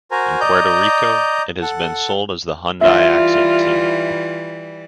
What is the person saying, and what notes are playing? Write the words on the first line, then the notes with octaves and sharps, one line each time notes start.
In Puerto Rico, it has been sold as the Hyundai Accent too.
F#4 A#4 C5 G#5 A#5
D5 D#5 A#5 G6
A4 F#5
E3 G3 F4 E5